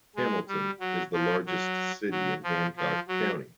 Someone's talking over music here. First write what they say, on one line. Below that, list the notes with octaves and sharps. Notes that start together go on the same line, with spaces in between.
Hamilton is the largest city in Hancock County.
G#3
G3
F#3
F3
F#3
F#3
F3
F3
F#3